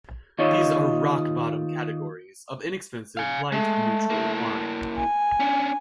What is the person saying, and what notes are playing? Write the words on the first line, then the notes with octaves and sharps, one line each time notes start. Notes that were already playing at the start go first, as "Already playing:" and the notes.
These are rock bottom categories of inexpensive, light, neutral wine.
D#2 D#4 F4 C#5
F5 G#5
G#3 A3
A#3 E4
G#5
C#4 D4